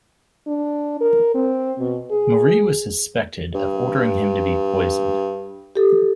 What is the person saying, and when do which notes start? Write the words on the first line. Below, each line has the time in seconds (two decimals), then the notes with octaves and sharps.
Marie was suspected of ordering him to be poisoned.
0.47 D4
1.00 A#4
1.34 C4
1.79 B2
2.11 G#4
3.55 G2
5.76 G4 A4